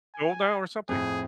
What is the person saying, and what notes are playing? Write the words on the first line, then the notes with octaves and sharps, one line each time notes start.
old now or something.
G#5
F2 A2 G#4